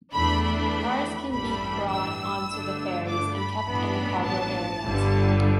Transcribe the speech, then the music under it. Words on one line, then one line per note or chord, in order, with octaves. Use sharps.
Cars can be brought onto the ferries and kept in the cargo areas.
E2 E3 A3 D4 B5
B5
A1 G2 E3 G3 D4 B5
E6
G2 D3 A3 D4
D6
B5
A1 G2 E3 B3 D4
A5
G1 G2 D3 G3